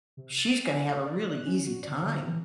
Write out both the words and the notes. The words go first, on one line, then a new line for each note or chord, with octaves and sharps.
she's gonna have a really easy time.
C3
A6
G#5
A4
D5
F#6
C#4
F#4
D5
D3
E3